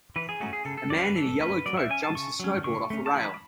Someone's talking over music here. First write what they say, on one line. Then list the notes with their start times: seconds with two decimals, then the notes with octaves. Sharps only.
A man in a yellow coat jumps his snowboard off a rail.
0.16 E3 B4
0.29 G#4
0.40 A3 C#4 F#4
0.53 G#4
0.65 C#3 A4
0.77 A4
0.90 F#3 C#4 D5
1.03 B4
1.15 E3 A4
1.41 A3 C#4 B4
1.66 F#3 D5
1.77 E5
1.90 C#4 G#5
2.03 A5
2.15 C#3 C#6
2.40 F#3 C#4
2.64 D3 C#6
2.90 A3 C#4
3.06 A5
3.15 E3 B5